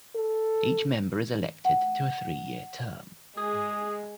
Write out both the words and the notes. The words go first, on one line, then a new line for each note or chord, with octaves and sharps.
Each member is elected to a three-year term.
A4
F#5
G#3 G#4